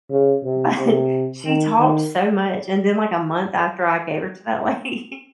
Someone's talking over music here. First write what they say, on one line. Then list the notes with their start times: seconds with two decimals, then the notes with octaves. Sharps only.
But she talked so much, and then, like, a month after I gave her to that lady,
0.11 C#3
0.44 C3
0.77 C3
1.45 D#3
1.79 D#3